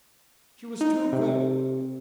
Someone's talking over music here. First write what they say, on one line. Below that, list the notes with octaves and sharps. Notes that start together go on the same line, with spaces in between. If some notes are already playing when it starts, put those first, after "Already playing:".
She was too good!
D#4
C3